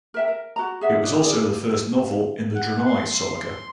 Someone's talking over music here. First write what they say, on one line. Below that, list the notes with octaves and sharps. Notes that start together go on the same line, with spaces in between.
It was also the first novel in The Drenai saga.
A#4 E5 G5
A#4
F#4 A#5
G#4 E5 F#5
D4 D#4 C#5
G#4 D5
F#5
C6